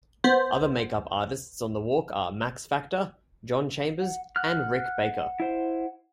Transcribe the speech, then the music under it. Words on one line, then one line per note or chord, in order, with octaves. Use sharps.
Other make-up artists on the walk are Max Factor, John Chambers and Rick Baker.
B3 C5
F#5
F#5 F6 F#6
E4 C5